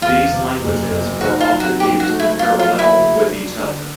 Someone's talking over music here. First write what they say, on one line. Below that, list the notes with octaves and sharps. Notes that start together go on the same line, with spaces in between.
These languages were often used in parallel with each other.
E2 F4
C3
F#1
F#1
D#3 F#4
F4
F#3
F#4
G#2 G4
F#4
A3
E4
F#3 F4
F4
A#3
E4
C#3
D4
D3